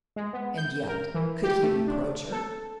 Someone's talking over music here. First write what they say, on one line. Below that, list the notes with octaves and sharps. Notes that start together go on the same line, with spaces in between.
And yet, could he reproach her?
G#3
B3
G6
A#4
E3
G4
A3
D4
A4